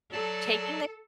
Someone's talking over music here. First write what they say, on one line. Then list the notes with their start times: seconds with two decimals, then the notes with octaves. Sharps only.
Taking the
0.12 F#3 A4 D5 A5